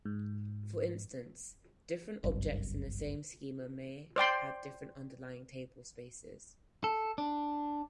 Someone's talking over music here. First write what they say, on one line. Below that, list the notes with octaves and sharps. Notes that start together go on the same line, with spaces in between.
For instance, different objects in the same schema may have different underlying tablespaces.
G#2
G1 C2 F#2
C5 D5 G5 C6
A4
D4